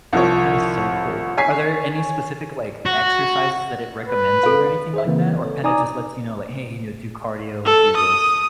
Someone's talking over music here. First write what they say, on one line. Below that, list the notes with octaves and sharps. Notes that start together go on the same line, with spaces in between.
That is so cool. Are there any specific, like, exercises that it recommends you or anything like that or kinda just lets you know like, "Hey, you know, do cardio or do this?"
C2 F3 C#5
C#5 G#5 B6 C7
F#4
B4
A4 F5
G#4 C5 E5
C#3 E3 A#3 C4
A4 C#5
D#4 D5 G#5 A#5 D6 D#6
A4
D#6